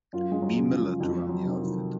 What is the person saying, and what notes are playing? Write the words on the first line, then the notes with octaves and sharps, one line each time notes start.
B. Miller to run the outfit.
F#2 F4
G#3
F#3
C#3
F3
F2 F3
F#3
C3 D#3
F3